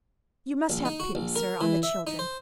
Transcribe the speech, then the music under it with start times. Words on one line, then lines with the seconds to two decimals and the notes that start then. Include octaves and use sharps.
You must have pity, sir, on the children.
0.70 A#1
0.85 D#4
1.00 F#4
1.15 A#1
1.36 A#4
1.61 E3
1.83 E5
2.07 D#4
2.19 C5